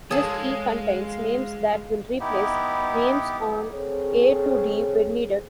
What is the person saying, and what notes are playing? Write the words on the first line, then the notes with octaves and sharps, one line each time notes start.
List E contains names that will replace names on A-D when needed.
G#3 G#4 A4 C#5 F5 A5 D#6
B3 D#4 E4 G4
C4 G#4 A4 C#5